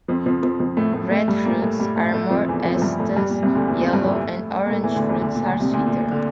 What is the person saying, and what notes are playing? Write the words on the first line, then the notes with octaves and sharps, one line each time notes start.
Red fruits are more acetous, yellow and orange fruits are sweeter.
F2 F3
F2 F3
F2 F3
F2 F3
A2 A3
A2 A3
A2 A3
G2 G3
A#2 A#3
A2 A3
G2 G3
A2 A3
A2 A3
F2 F3
E2 E3
F2 F3
F3
G2 G3
A2 A3
G2 G3
A#2
C2 C3
D2 D3
E2 E3
F2 F3
G2 G3
A2 A3
A#3
A2 A3
E2 E3
D2 D3
E2 E3
D2 D3
A#2
D2 D3
C2 C3
D2 D3
A#2
A#2
D3